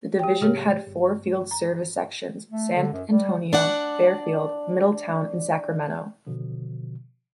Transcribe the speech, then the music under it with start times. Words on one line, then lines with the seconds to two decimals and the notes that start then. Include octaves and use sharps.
The division had four Field Service Sections: San Antonio, Fairfield, Middletown, and Sacramento.
0.19 G4 G5
0.41 A2 C#3 F#3 G4 G#4 C#5
0.87 G1
1.51 A#5
2.51 A3
2.76 D3
2.93 F#2
3.10 G3
3.53 D4 D5 F#5
6.27 B2 D3 F3